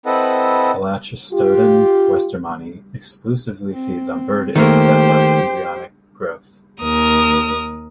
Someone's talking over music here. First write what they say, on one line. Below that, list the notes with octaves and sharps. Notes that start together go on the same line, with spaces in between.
"Elachistodon westermanni" exclusively feeds on bird eggs that lack embryonic growth.
C4 E4 A4 B4 D#5 F#5
F4 G4
C4
D#3 A3 A#3 G4 C5
D#2 A#4 D#6